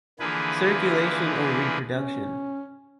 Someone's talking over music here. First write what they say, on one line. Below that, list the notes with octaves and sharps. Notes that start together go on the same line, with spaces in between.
Circulation or reproduction?
D3 E3 F3 A#3 G#4 B4
C#4